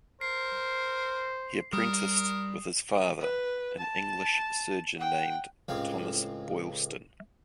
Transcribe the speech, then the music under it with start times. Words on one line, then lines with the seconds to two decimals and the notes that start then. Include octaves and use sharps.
He apprenticed with his father, an English surgeon named Thomas Boylston.
0.21 A#4 C5 C7
1.73 G3 A#4 D#6
3.20 B4
3.79 A5
4.97 F#5 G5
5.68 C#2 A2 G#3 C4 F5